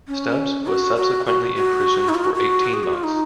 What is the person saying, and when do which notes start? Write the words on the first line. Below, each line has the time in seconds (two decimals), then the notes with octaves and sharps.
Stubbs was subsequently imprisoned for eighteen months.
0.08 C#4
0.67 F#4
0.96 F#4
1.26 F#4
1.55 F#4
2.09 D#4
2.15 F4
2.24 F#4
2.35 F#4
2.74 G#4
2.84 F#4
2.94 F4
3.04 D#4